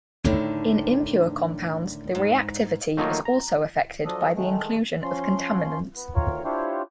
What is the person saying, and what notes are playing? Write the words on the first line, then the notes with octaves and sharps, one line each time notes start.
In impure compounds, the reactivity is also affected by the inclusion of contaminants.
A2 D3 D#3
G#2
D#3 F#3 A3 A#3 D#4 F4
A#5
F3 F#3 D4 A4 D#5
D#3 G#3 A3
F3 C#4 C6
B3
D2 D#3 F4 A#4 C#5
D4 E4 F4 G4 C5 C#5